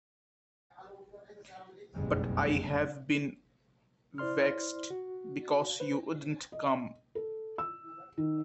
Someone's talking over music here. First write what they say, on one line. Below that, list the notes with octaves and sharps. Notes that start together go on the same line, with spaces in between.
But I have been vexed, because you wouldn’t come.
F#1 B1 F2 G3 G#3
E4 C5 D5 C6 F6
F#4
B4 C5
D#5
A4
E6
D#3